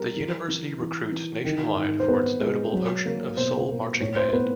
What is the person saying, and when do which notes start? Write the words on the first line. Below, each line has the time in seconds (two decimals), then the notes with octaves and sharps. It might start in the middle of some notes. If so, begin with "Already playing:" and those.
The university recruits nationwide for its notable Ocean of Soul marching band.
Already playing: G3 A#4
0.16 E3
0.48 E3
0.80 E3
1.12 E3
1.45 D#3
1.76 G#2
2.00 C5
2.08 B3 B4
2.41 G#3
2.73 F#3
3.05 A#3
3.37 B2 C5
3.68 A#3
4.01 A2 C#5
4.17 C5
4.29 C5
4.33 B3 B4